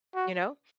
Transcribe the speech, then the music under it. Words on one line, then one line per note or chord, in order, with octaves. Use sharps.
you know?
F#4